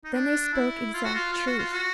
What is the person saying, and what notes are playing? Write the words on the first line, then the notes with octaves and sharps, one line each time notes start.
Then they spoke exact truth.
D#4
D4
E4
F4
F#4
F4
F4
F#4
F4
F#4